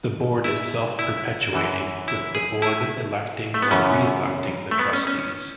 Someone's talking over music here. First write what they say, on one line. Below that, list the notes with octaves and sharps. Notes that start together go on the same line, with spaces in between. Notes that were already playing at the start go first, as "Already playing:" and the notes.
The board is self-perpetuating with the board electing or re-electing the trustees.
E4
E4
F#2 E3
E4
G#4
E4
A3
B3
F#2 C#3 E3 C#4
A3
B3
C#4
C#4